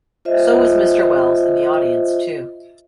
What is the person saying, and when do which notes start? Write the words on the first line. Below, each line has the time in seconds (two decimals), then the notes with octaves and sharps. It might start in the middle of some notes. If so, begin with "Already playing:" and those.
So was Mr. Welles, and the audience, too.
0.25 F4 C5 D#5 E5